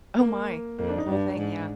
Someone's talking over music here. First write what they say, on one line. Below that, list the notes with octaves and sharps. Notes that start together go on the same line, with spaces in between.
Oh my. The whole thing, yeah.
A#3
F2 A#3
D4
D#4
G2 D4
G#2